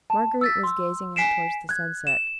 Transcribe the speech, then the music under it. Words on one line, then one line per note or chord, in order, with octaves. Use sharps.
Marguerite was gazing out towards the sunset.
A5
E6 A6 B6
C6 E6
G#5 B6 C7 D7 E7
F#6 G#6
E7